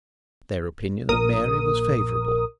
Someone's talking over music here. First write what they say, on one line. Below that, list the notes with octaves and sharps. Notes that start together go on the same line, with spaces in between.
Their opinion of Mary was favourable.
A#1 A#4 D#6